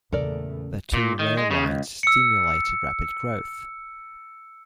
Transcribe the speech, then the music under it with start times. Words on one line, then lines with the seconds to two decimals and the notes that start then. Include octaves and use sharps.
The two rail lines stimulated rapid growth.
0.12 E2 A#2 C#3 A3 A4 A#4 D5
0.94 A#2
1.19 D#3
1.37 G#3
1.51 C#3
1.64 C#2
2.03 E6 C#7